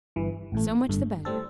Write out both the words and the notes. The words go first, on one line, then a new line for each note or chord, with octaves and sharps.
"So much the better."
G1 G2 E3
A1 A2 A3
G1 G2 D3 A3
A2 G3 C4 A4